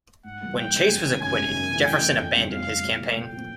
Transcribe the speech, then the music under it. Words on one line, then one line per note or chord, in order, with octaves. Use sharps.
When Chase was acquitted, Jefferson abandoned his campaign.
G#2 F#5
E3 G3 A#3
G#2 G5
E3 G3 A#3
F#2 G#5
D#3 G#3 C#4
F#2 G#5
D#3 G#3 C#4
F#2
C#3 E3 A3
F#2 G5
C#3 E3 A3
F2
D3 G3 B3
F2 F5
D3 G3 B3
A#2
F3 A3 C4
A#2 G5
F3 A3 C4